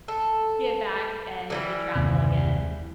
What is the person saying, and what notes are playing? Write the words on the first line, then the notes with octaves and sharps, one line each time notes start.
get back, and maybe travel again.
A4
D3 E3 G3
F#1 D#2 C3